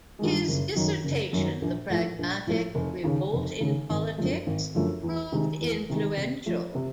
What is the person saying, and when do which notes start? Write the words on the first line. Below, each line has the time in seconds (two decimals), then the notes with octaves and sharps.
His dissertation "The Pragmatic Revolt in Politics" proved influential.
0.19 G2 D#3 G#3
0.48 F#1
0.76 F#2 D#3 F#3
1.04 F#1
1.33 F#2 D#3 F#3
1.62 A#1
1.90 A2 F3 A3
2.19 A#1
2.47 A2 F3 A3
2.75 F1
3.04 D#2 C#3
3.33 F1
3.60 D#2 C#3
3.90 G#1
4.18 F#2 D3 F3 A3
4.46 G#1
4.75 F#2 D3 F3 A3
5.03 E2
5.32 C3 D#3 G#3
5.61 E2
5.90 C3 D#3 G#3
6.17 C3
6.46 F3 A3
6.75 C3